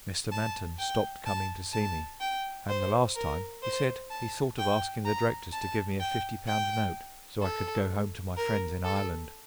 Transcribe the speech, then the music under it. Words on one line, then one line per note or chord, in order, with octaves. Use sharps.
Mr. Manton stopped coming to see me; and the last time, he said he thought of asking the directors to give me a fifty-pound note, so I could go home to my friends in Ireland.
A5
G5
A5
A5
G5
C5
A#4
C5
A5
G5
A#5
A5
G5
G5
A4
A#4
A4